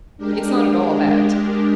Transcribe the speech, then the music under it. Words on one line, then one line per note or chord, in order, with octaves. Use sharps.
It's not at all bad.
G#3 D4 G4 A#4